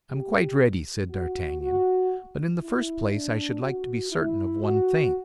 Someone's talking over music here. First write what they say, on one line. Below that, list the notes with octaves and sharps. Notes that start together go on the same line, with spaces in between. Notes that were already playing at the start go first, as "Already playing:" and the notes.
"I am quite ready," said d'Artagnan; "but in the first place I should like to be certain of one thing."
G4
F#4
F#4
E4
D4
F#4
E4
F#4